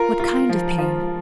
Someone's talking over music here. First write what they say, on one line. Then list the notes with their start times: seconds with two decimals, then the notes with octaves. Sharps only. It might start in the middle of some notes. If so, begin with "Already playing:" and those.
What kind of pain?
Already playing: F4 A#4
0.20 F4
0.49 F3
0.78 F3